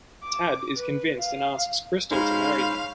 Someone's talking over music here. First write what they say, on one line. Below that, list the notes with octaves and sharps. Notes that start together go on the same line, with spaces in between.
Tad is convinced and asks Krystal to marry him.
D6
B4
F5
G#3 C#4 D#4 C5 F5 B5